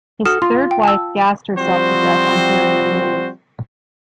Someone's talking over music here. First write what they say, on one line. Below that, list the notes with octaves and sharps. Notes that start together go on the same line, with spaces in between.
His third wife gassed herself to death on hearing the news.
F#4 A4 D#6 F6 E7
F4 C6
G5
A5 E6
F3 G3 C4 F#4 C5